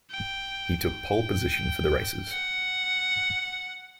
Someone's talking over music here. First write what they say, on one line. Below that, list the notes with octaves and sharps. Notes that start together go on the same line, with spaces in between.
He took pole position for the races.
G5
G5
F#5